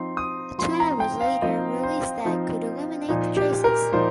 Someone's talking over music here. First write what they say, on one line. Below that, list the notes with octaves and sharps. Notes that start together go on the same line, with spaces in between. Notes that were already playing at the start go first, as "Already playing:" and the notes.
A tool was later released that could eliminate the traces.
Already playing: F3 C4 D#4 C6
D#6
F3 C4 D#4 C6
A#5
G5
F5
F3 C4 D#4 D#5
C5
F3 C4 D#4
A#2 F3 D#4
G4
A#4
A#2 F3 D#4 C5